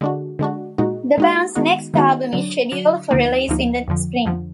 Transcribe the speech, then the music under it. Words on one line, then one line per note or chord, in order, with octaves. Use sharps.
The band's next album is scheduled for release in the spring.
D3 G#3 D4 F#4
D3 G#3 D4 F#4
A#2 G#3 D#4 F#4
A#2 G#3 D#4 F#4
D#3 G#3 B3 D#4 F#4
D#3 G#3 B3 D#4 F#4
D3 F#3 D4
D3 F#3 D4
D2 D3 F3 A#3 D#4
D2 D3 F3 A#3 D#4
F2 D3 F3
F2 D3 F3